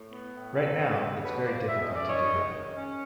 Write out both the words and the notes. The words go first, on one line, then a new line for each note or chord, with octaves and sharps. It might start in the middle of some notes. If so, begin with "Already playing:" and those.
Right now, it's very difficult to do that.
Already playing: A2
B3
A2
A#3 A4 B4
B2
G3
B2 B4 C#5
A#3 C5 D5
B2 E5
D#5
C#4
D5
D#3 C#5 D#5
G#3
D#3
C#4